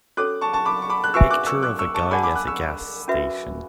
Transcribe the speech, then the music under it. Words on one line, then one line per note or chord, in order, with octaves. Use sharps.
Picture of a guy at a gas station.
C#4 F#4 A4 C#5 D6 F#6
A5 C#6
A5 C#6
B5 D6
C#6
B5 D6
F#6
F#4 B4 E5 G#5 C#6 E6
D6 F#6
C#6 E6
D6 F#6
C#6 E6
A5 C#6
G#4 D5 F#5 G#5 A5 B5
B5 D6
D6 F#6
C#6 E6
C#4 F#4 B4 E5